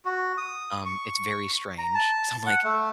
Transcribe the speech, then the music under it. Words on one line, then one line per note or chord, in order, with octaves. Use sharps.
Um, it's very strange. So, I'm like,
F#4
D#6
C#6
A#5
A5
F#5
A3